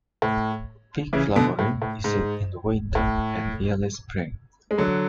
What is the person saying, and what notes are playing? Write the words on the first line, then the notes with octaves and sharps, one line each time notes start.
Peak flowering is in the winter and early spring.
A2
C#3 E3
B2 D3
A2
A2
G#2
A2
G#3
D3 F#3